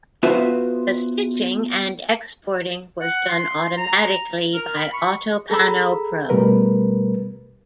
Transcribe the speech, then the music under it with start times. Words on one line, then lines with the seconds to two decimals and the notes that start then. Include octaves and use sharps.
The stitching and exporting was done automatically by Autopano Pro.
0.23 B3 F4 F#4 B4 C5 E5
3.01 F#5
3.29 C6
3.77 A#5
4.54 A#4
4.76 B5
4.93 C#6
5.50 G#4 A4 A#5 B5 E6
6.29 B2 G3 A3 A#4 B4